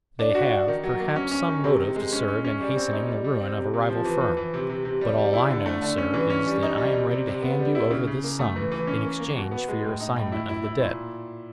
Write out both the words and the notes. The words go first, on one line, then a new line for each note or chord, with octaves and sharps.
They have, perhaps, some motive to serve in hastening the ruin of a rival firm. But all I know, sir, is, that I am ready to hand you over this sum in exchange for your assignment of the debt.
D4
F#4
D4
D#3
F#3
A#3
C#4
C#4
D#3
C3
D#3
G#3
C#4
C#4
C#4
G3
C4
D#4
G3
G3
C4
C3
C3
F3
E3
E3
E3
C3
C3
C3
G3
G3
E4
D3
A3
D3
C#4
E3
C#4
G3
D#4
G3
C3
C3
C3
B3
G3
E4
C#3
C#3
A#3
A3
E3
E3
C#4
A#3
A#3
B2
B3
G#3
A2
D#4
A2
E4
E4
E4
A#2